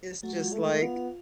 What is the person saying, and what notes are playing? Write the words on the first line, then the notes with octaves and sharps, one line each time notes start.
it's just, like
F#3 A3
G#3
F4
A3
B3 F4
F4